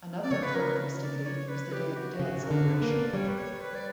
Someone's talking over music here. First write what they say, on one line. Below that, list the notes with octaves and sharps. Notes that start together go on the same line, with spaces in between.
Another important festivity is the Day of the Dead celebration.
D5
C#3 C#5
B4
A#4
D5
C#5
B4
G4
F#4
C#3 F#4
A#4
D3
B4
A#3
D5
G3 C#5
B4
C#5
B4
D5